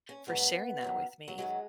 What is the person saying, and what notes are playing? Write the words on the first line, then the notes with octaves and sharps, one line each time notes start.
for sharing that with me.
C#4
G#2 F#3 B3
F#2 D#3 F#3
F#3
F#2 D#3 F#3 G#3